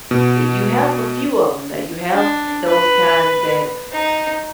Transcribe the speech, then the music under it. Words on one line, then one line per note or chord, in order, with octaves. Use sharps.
eh, you have a few of 'em that you have those kind that
B2
D4
B4
D#4